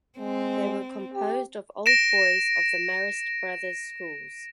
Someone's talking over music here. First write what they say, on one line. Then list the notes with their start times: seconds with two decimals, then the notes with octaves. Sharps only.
They were composed of old boys of the Marist Brothers’ schools.
0.19 G#3 C4
1.14 G4
1.86 A#6 D7 E7